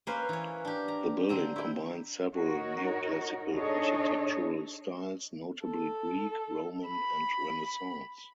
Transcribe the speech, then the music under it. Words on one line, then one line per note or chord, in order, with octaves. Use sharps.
The building combines several neoclassical architectural styles, notably Greek, Roman and Renaissance.
A#3 C#4 B4 C5
E3 C#5
D4 G4
A#5
D3 C4 A#5
E4 G5
D#4 F#4 A#4 C#5
D4 D#4 G#4 A4 C#5 D#5
A4
B5